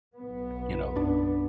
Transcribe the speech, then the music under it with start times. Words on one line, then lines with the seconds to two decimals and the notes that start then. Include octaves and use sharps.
you know
0.17 B1 B3
0.95 F#2 D4